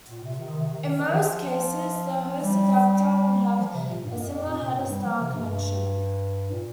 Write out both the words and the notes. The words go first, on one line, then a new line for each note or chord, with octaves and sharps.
In most cases, the host adapter would have a similar header-style connection.
A#2
C3
D#3
C3
D#3
D#3
F3
G3
F3
C3
A#2
G2
F2
F2
A#2
C3
G2
G3
F3
C3
G2
A#2